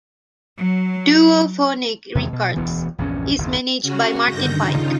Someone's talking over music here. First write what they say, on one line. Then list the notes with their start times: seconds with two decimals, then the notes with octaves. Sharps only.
Duophonic Records is managed by Martin Pike.
0.57 F#3
2.15 E2 C3 D#3 G#3
2.33 B2
2.56 E1 D2 E3 B3
2.98 A#1 E2 G2 C#4
3.38 F#1 D#2
3.82 C#3 C#4 F#4
4.27 G2 D3 D#3 G6 A#6
4.63 C#3 D#4 F4